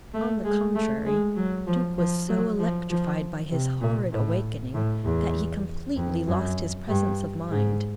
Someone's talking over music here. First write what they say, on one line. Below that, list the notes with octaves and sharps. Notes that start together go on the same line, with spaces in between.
On the contrary, Duke was so electrified by his horrid awakening that he completely lost his presence of mind.
A3
G#3
A3
G#3
F#3
F3
F3
F#3
F3
F3
C3
A#2
A2
A2
E2
F2
F#2
G2
G#2